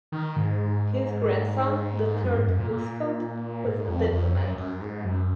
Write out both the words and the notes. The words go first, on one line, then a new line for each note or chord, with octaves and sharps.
His grandson, the third Viscount, was a diplomat.
D#3
G#2
F#2
G#2
F#2
A#2
A#2
G#2
F2
F2
F#2
F#2
G#2
F#2